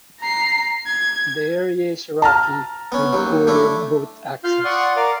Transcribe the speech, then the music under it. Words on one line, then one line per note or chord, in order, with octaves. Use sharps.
The area is rocky with poor boat access.
A#5 C7
G#6
A5 A#5 F6
B3 C#4
D#2 F#3
A3 D4 E4
F4 F5 F6 G6
D5 F#5 C6 C#6 D#6
A#4 D5 F5 D6